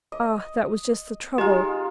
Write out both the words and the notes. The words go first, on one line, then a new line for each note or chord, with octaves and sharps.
Ah, that was just the trouble.
D#5
G#3 D#4 F4 G4